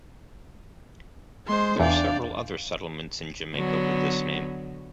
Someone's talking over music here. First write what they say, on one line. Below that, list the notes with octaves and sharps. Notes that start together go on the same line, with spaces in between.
There are several other settlements in Jamaica with this name.
G#3 C5 C6
E2 D4 D5 F5 G5
D3 F#3 B3